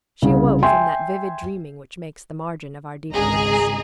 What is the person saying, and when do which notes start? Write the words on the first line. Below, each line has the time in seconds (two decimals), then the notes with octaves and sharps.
She awoke from that vivid dreaming which makes the margin of our deeper rest.
0.22 C2 C#3
0.63 E5 G5 G#5 C6
3.13 G#1 C#2 G#4 D#5 A#5